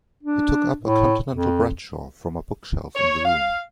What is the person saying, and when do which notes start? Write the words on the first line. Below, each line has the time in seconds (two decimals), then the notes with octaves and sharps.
He took up a Continental Bradshaw from a bookshelf in the room.
0.23 D4
0.81 A2
1.32 F2
2.95 C#5
3.25 F5